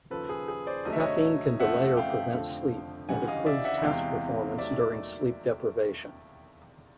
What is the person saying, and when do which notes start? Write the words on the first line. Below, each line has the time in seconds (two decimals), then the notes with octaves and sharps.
Caffeine can delay or prevent sleep, and improves task performance during sleep deprivation.
0.10 D#2 C#3 F3 A4 B4
0.29 G#4
0.48 G#4
0.67 C5 D5
0.85 D#2 D3 F#3 A3 D#5
0.93 E5
1.00 C#5 D#5
1.60 F2 C#3 F3 A3 E5 F#5
1.97 F5 G5
2.34 F1 F2 D3 F3 A3
3.09 D2 C#3 E3 G3 F#5 G#5
3.27 D#5 F5
3.46 D5 E5
3.65 E5 F#5
3.83 E2 C3 E3 G#3 F5 G5
4.58 D#2 D#3 F#3 A3 D5 E5